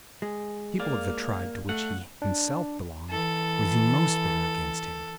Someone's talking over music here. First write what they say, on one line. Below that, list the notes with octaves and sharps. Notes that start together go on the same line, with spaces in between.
The people of the tribe to which he himself belonged were the most bitter against him.
G#3 G#4
A#3 D5 F5
A3 F#5
D4
E3 A4